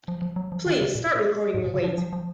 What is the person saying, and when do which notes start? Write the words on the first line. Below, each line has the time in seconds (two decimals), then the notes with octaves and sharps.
Please start recording your weight.
0.08 F3
0.22 F3
0.36 F#3
0.52 F3
0.66 D#3
0.81 C#3
0.95 A#2
1.54 G#2
1.64 A#2
1.74 C#3
1.84 F3
1.98 F3
2.13 F3